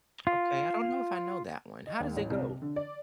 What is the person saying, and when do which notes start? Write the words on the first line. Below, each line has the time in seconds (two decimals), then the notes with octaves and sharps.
Okay, I don't know if I know that one. How does it go?
0.27 F4
1.87 D#5
2.00 D#2
2.16 A1
2.30 C2
2.42 C3
2.62 D3
2.76 D5